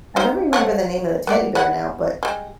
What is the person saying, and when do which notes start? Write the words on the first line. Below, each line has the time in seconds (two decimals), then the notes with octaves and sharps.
I don't remember the name of the teddy bear now, but
0.16 D#4 C5 F5
0.53 F3 C#5 F#5
1.27 B3 C4 D5
1.55 B3 E4 F#5
2.23 G3 G#3